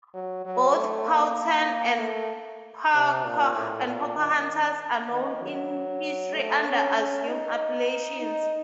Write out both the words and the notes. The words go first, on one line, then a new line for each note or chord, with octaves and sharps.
Both Powhatan and Pocahontas are known in history under assumed appellations.
F#3
F#3
A3
A#3
A3
C3
A#2
A2
A#2
D#3
D#3
F#3
A3
C#4
C#4
D#4
D#4